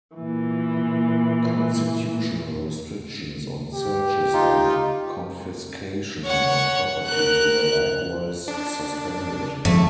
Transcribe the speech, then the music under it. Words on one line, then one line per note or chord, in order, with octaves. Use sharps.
Constitutional restrictions on searches and confiscation of property were likewise suspended.
A#2 E3
G4
D#4 F4
C#5 F#5
A#4 F#6
D4
F2 G#2 D3 F3 A3